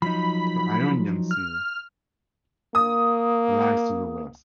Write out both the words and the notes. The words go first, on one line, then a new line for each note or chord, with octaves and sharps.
The Ionian Sea lies to the west.
F3 F#3 D#4 B5
F6
A#3 D#6